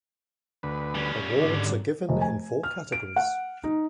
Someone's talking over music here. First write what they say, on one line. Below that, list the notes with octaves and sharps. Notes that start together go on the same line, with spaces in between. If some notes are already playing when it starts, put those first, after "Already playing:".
Awards are given in four categories.
D2 B4
G3 C#4
G#1 D3
F1
G#5
F6
D7
F#5
D#4